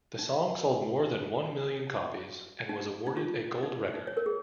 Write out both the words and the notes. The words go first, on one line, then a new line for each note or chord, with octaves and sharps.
The song sold more than one million copies, and was awarded a gold record.
D#4
D#4
D#4
F4
D#4
D#4
C#5
A#4
G#4